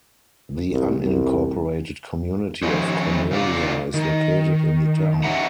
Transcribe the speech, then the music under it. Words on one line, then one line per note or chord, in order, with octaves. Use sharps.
The unincorporated community of Cornelia is located in the town.
C2
C2
D#3 F3 C#4 G#4 C5
C#3 F4 D5
D#3
C#4 D#4 G#4 E5 F#5 A#5